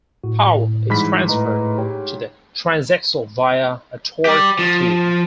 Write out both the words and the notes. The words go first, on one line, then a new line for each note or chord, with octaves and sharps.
Power is transferred to the transaxle via a torque tube.
A2 F#4
A2
G#2 E3 G3 B5 B6
A2 B4 D#5 A#5
G4 C#5 G5
G4 D5
F3